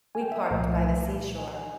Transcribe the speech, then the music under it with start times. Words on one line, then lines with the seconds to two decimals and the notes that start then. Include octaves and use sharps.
We parked by the seashore.
0.15 G#5
0.21 G5
0.32 E5
0.41 D#5
0.51 C2 A#2 F3 A3 E5
1.38 G#5